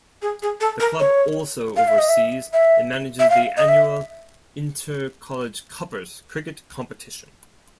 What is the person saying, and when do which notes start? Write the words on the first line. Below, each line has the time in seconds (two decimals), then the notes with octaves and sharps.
The club also oversees and manages the annual inter-college 'Cuppers' cricket competition.
0.22 G#4
0.42 G#4
0.61 A4
0.80 A#4
1.00 C#5
1.77 F5
1.88 E5
1.99 D#5
2.09 E5
2.53 E5
3.19 E5
3.30 F5
3.57 D#5
3.69 E5